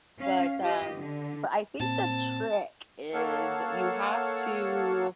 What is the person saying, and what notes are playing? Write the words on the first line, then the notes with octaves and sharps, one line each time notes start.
but, um, but I think the trick is you have to
C#4 F5
F4 G4 D#5
D3
A#2 C4 A5
A#3 A4 C#5 F5 F#5 A5